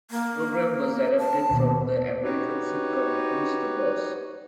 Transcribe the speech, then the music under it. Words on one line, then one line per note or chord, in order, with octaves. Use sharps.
The programme was adapted from the American sitcom "Who's the Boss?".
A#3
A5
D#2 B2
D#4 F#4 G4 B4 C#5